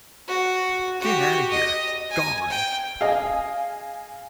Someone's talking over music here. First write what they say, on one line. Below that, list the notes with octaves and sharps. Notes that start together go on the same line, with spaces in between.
Get outta here - gone!
F#4
F#4 G4
D#5
G#5
G5
G#4 D#5 F5 G#5